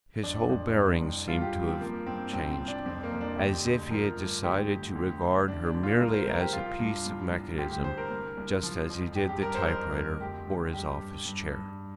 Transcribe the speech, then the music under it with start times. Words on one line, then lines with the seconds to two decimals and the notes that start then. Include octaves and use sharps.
His whole bearing seemed to have changed, as if he had decided to regard her merely as a piece of mechanism, just as he did the typewriter, or his office chair.
0.23 F2 D4
0.49 F2
0.75 C2
1.02 C2
1.28 G2 F4
1.42 G4
1.55 G2
1.67 C4
1.81 F3 A#3
2.06 G2 C4
2.33 C2 C4
2.51 C4
2.59 C2
2.68 D4
2.86 F2 C4
3.03 A#3
3.12 F2
3.21 D4
3.38 D2 G4
3.65 D2
3.91 F3 A#4
4.17 G2
4.43 D2 G4
4.70 D2
4.95 D2
5.22 D2
5.48 D2 D4
5.66 D4
5.74 D2
5.83 F4
6.01 C2 A#4
6.14 C5
6.27 C2 A#4
6.40 G4
6.53 F3 F4
6.79 G2
7.05 C2
7.32 C2
7.58 D2 G4
7.71 G4
7.84 D2 C5
7.98 A#4
8.11 C2
8.37 C2
8.63 F3
8.89 F2
9.15 G2 G4
9.29 G4
9.42 G2 A#4
9.55 C5
9.68 F2 A#4
9.94 F2
10.20 D2 G4
10.47 D2
10.73 G2 G4
10.99 G2
11.25 G2
11.52 G2